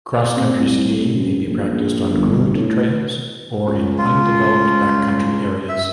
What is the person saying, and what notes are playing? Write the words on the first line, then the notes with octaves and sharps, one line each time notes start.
Cross-country skiing may be practiced on groomed trails or in undeveloped backcountry areas.
C3
C2
F#2
A#1
G1
A2
C#2
F4
E5